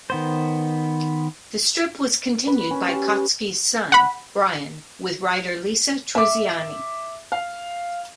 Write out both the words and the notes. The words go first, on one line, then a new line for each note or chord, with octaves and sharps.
The strip was continued by Kotzky's son, Brian, with writer Lisa Trusiani.
D#3 B3 C5
B4
C#4
G4
F#5 B5
E5 D6
F5